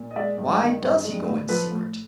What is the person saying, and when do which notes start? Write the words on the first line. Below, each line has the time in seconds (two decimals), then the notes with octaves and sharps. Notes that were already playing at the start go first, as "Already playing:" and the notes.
Why does he go in secret?
Already playing: A#2
0.11 D#5
0.16 G#3 D5 E5
0.38 G2
0.60 D#3
0.82 G2
1.05 G#3
1.26 A2
1.49 F3 A4 B4
1.71 A2